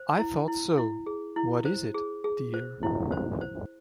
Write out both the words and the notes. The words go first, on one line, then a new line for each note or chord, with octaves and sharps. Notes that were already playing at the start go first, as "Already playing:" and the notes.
I thought so; what is it, dear?
Already playing: C5
E4
E4
E4
G#4
E4
C5
G#4
G#4
C5
E4
C5
C5